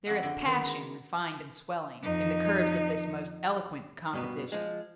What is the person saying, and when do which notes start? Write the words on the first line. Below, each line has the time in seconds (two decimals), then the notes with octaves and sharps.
There is passion, refined and swelling, in the curves of this most eloquent composition.
0.06 F2 F#4 D5 E5 F#5
0.23 D3 F#4 D5 G5
0.46 D#3 B3 C#4 D#4 F#4 D5
0.66 G#3
2.02 F2 D#4
4.13 G2 B2 B3
4.52 F3 G#3